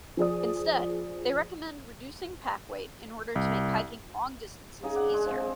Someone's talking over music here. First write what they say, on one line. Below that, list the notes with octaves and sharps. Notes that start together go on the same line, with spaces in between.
Instead, they recommend reducing pack weight, in order to make hiking long distances easier.
F3 G#4 D5 D#6
C2
C#3 D#4 G#4 G#5
D5 F#5
G#3 D4
F3 G#3 C4
A5